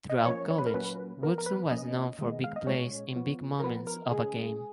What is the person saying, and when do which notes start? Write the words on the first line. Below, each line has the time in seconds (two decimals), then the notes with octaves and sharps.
Throughout college, Woodson was known for big plays in big moments of a game.
0.10 D#5
0.26 F3 A#3 C#4 C#5
0.50 C#5
0.58 B4
0.66 A#4
0.74 A#2 F#3 A#3 C#4 B4
1.22 F3 B3 A#4
1.38 A#4
1.46 B4
1.71 F3 A#3 C#4 D#5
2.19 D#3 G#3 B3
2.44 F5
2.56 D#5
2.67 A#2 G#3 C#4 C#5
3.16 F3 B3
3.59 A#4
3.63 F3 B3 B4
3.87 A#4
4.11 C#3 G#3 C#4 G#4